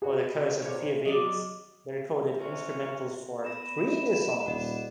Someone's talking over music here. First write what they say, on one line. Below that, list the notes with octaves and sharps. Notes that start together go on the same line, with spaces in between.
Over the course of a few weeks, they recorded instrumentals for three new songs.
B2 F#4 G#4
C2 A#2 C#5
D#3 F#3 D5 D#5
C#4 E4 C5 E5
B3 B4 A#6 E7
D#1 D5 D#5 F#5